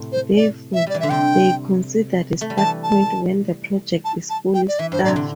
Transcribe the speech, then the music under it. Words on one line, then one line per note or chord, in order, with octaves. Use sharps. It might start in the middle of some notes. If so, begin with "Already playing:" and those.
Therefore, they consider the start point when the project is fully staffed.
Already playing: A2 C3
C5
D5
E5
G3 D5
E3
D3 E5
C3 G5
A3
G3
E3 A5
A5
A5
A5
G5
D5
E3 E5
G2 C5
A2 D5
C3
D3